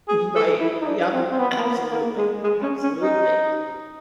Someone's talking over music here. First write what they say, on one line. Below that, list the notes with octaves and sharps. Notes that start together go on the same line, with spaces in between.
Right, yep, absolutely, absolutely.
G#4
A4
E4
D#4
D4
C4
C4
B3
A#3
B3
A#3
G#3
G#3
C#4
C#4
D#4